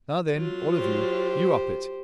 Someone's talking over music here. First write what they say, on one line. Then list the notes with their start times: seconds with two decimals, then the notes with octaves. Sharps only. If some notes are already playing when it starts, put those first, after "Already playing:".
'Now then, all of you, you 'op it.
0.35 F#3 F4
0.76 G4 C5